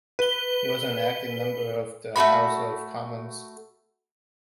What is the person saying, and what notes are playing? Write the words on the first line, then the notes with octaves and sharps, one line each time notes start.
He was an active member of the House of Commons.
B4 G7
A3 D#4 F#4 B5